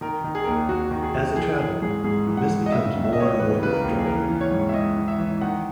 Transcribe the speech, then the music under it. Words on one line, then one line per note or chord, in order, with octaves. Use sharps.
As they travel, Mis becomes more and more withdrawn.
D#3 A#4
D#3
G#4
D#2 A#4
G#4
D#2 F#4
D#3
G#4
D#3
E3 G#4
E3 G#4
G#2 G#4
G#2 G#4
E3
F#5
E3
D#5
C#3 E5
D#2
E5
D#5
D#2 C#5
D#5
E3 B4
C#3 B4
A#4
D#2
G#4
E3 A#4
E3
C#5
G#2
E5
G#2 D#5
E3
E5
E3
D#3 F#5